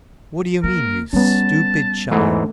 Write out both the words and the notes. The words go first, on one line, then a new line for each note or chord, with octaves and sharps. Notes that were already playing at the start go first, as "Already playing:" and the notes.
What do you mean, you stupid child?
A#3 A#4
G3 B3 C#4 A5
E2 G#2 E3 A3